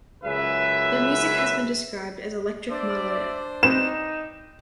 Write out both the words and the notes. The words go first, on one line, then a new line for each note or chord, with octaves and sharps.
Their music has been described as electric maloya.
C#2 F#2 G#4 B4 E5
D4 C5 D5 E5
C4 D#4 B4 E7